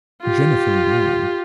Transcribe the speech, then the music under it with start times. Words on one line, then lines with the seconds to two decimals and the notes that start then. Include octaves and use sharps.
Jennifer Brown.
0.22 F4 G4